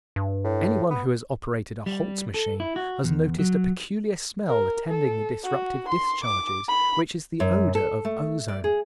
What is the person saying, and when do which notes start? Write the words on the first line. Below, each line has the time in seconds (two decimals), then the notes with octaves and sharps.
Anyone who has operated a Holtz machine has noticed a peculiar smell attending the disruptive discharges, which is the odor of ozone.
0.16 G2
0.44 A2
0.90 B3
1.86 G3
2.34 A4
2.60 E4
2.76 F#4
3.04 E2
3.39 F#3
4.48 A#4
4.88 A4
5.43 F#4
5.88 C6
6.24 D6
6.68 B5
7.40 F#2
7.75 A4
8.05 A3
8.48 D5
8.64 G#4